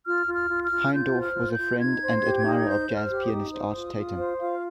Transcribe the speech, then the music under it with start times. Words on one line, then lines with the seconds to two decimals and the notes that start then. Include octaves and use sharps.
Heindorf was a friend and admirer of jazz pianist Art Tatum.
0.06 F4 F6
0.28 F4
0.34 F6
0.49 F4
0.63 F6
0.71 F4
0.92 F4 G6
1.15 C5
1.21 F6
1.36 F4
1.51 G6
1.58 F4
1.79 D#4 G#6
2.01 C5
2.22 G4
2.45 D#4
2.66 C5 G6
2.88 C5
2.96 F6
3.10 G4
3.25 D#6
3.32 D#4
3.53 C5
3.75 F4
3.97 F4
4.18 C5
4.40 F4 F5